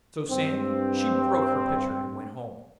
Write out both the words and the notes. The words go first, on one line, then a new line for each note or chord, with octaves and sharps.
So saying, she broke her pitcher and went home.
G2 C4